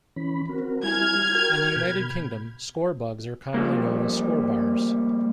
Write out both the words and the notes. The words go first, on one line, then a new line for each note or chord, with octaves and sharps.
In the United Kingdom, score bugs are commonly known as scorebars.
E3 C#4 B5
C4 F#4 A#4
G3 E4 G#5 F6 G#6
F#4 A#4 G5
B2 B5 G6
F3 G3 A3 A#3